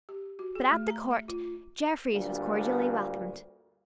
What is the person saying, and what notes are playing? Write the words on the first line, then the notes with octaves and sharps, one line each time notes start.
But at the Court Jeffreys was cordially welcomed.
G4
F#4
G#4
A3
A#5
E5
F4
D2 G2 A#2